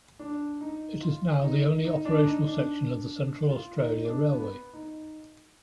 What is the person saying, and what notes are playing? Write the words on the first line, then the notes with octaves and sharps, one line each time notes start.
It is now the only operational section of the Central Australia Railway.
D4
D#4
F4
D#4
D#4
D4
D#4
D4
F4
D#4
D4
B3
D#4